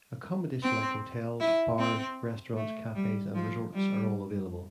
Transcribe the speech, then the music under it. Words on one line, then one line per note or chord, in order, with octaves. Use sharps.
Accommodation like hotels, bars, restaurants, cafes, and resorts are all available.
C4
E4
C4
A3
G3
F3
G3